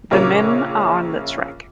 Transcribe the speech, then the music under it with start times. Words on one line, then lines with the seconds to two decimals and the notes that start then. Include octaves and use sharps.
The men are on the track.
0.11 A#1 C#3 A#4 C#5 D6